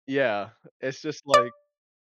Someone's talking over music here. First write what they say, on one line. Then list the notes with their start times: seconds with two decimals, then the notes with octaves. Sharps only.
Yeah, it's just, like
1.34 D5